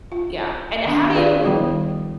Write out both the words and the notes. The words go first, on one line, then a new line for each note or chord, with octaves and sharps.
Yeah, and how do you
F4
D#3 D4
F4 G#4 B4 D5 F5
D#3 F3 G3 B3 E4 F#4